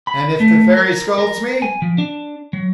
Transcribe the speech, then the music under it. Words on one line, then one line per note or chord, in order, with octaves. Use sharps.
"And if the Fairy scolds me?"
B5
A3
A#4
A#4
G#5
F3
D4
F#3